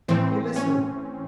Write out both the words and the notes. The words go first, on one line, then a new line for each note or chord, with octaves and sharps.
He listened.
A2 E3 C4
C#4